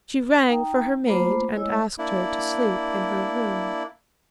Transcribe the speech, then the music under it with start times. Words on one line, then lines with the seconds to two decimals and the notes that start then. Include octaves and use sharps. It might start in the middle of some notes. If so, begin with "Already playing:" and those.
She rang for her maid and asked her to sleep in her room.
0.49 D#4 G5 A#5
1.07 A3 A#3 F4 C5 B5 D6
1.55 G#3 E4 C#5 D#5 E6
1.98 A#3 D4 E4